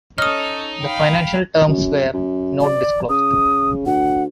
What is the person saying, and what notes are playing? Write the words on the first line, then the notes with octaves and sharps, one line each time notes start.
The financial terms were not disclosed.
C#4 D#4 A4 C#5 D#5 D#6 F6
F5 G5 B5
F#2
F#2
D5
C#3 D#6
D2 F#5